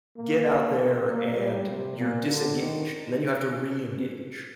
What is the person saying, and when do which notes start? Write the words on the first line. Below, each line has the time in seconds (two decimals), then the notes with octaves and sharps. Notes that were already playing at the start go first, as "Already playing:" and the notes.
get out there and you're disengaged, and then you have to re-engage,
0.17 A#3
0.78 C4
1.08 A#3
1.38 G3
1.69 C3
1.99 A#2
2.29 D3
2.60 D#3